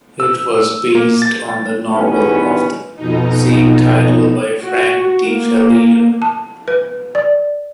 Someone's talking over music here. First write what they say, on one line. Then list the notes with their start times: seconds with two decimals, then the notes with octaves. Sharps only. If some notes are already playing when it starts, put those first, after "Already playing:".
It was based on the novel of the same title by Frank De Felitta.
0.20 E6
0.95 A#3
1.22 A6
1.93 G2 B2 D#3 E3 B3 C#4
2.96 F2 B2 D#4
4.62 F#4
5.26 A#3
6.22 A5
6.68 B4
7.15 D5